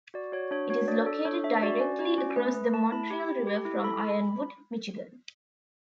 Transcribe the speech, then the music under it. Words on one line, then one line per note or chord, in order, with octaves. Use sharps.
It is located directly across the Montreal River from Ironwood, Michigan.
F#4 D5
F#4 C#5
D4 C#5
F#4 C#5
D4 D5
A4
D4 C#5
D4 E5
F#4 D5
C#4
F#4
C#4
A3 B4
A3
A3 A5
E4 B5
G4
G4
G4
E4
A4 B5